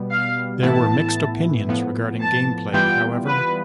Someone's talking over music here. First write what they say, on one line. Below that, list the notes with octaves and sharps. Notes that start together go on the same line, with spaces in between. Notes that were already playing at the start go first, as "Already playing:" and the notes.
There were mixed opinions regarding game-play, however.
Already playing: B2 G3 B3
F5
A2 E3 B3 E4 A5
A2 F3 B3
A5
E3 G3 B3 F4 G5
B4